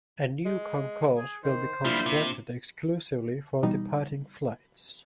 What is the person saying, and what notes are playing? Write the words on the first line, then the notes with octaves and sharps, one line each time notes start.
A new concourse will be constructed exclusively for departing flights.
G#3
G#4
D#3 C5
F3 G3 A#3 D4 E4 F4
C3
B2 E3 G3 D#4